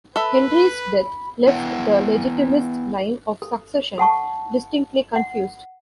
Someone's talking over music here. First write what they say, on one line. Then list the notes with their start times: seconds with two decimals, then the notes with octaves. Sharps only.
Henri's death left the Legitimist line of succession distinctly confused.
0.16 A4 B4 E5 B5
1.47 B3 E4 B4 F#5 G5
3.42 A4
3.98 A4 F#5 A5 C#6
5.16 F#5